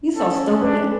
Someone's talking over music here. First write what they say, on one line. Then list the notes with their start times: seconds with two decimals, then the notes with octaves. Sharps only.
You so stupid.
0.16 C#4 A4
0.61 D4 B4